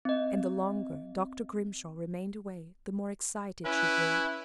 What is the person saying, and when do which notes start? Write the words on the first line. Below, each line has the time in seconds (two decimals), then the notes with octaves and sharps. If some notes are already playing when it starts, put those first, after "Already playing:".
And the longer Dr. Grimshaw remained away, the more excited she grew.
0.05 C4 D#5
3.65 C#4 E4 B4